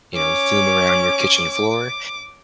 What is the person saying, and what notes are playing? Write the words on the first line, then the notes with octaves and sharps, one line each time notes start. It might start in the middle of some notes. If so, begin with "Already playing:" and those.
you know, zoom around your kitchen floor.
C#4 D6